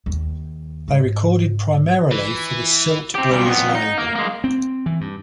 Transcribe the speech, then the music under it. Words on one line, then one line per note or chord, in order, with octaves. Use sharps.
They recorded primarily for the Siltbreeze label.
D#2
G#2
E3
C4 G4
A#2 G3
F2 B3
D#4
A#3
G#3 A#3
C4
E3
G2